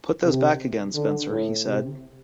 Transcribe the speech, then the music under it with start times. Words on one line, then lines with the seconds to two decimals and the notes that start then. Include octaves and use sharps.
"Put those back again, Spencer," he said.
0.23 C3
0.94 D3
1.30 A2
1.65 C3